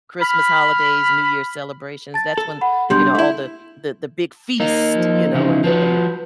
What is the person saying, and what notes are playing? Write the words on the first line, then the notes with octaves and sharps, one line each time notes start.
Christmas holidays, New Year celebrations, that's when, you know, all the the the big feast, you know, and the and the
B5 F6
A5 A6
A4
F#5 B5
B2 G3 G#3 D4 C6 G6
A3 E4
A#3 D#4
F3
C#3 E3 F3 D#4
F3 F#4 B4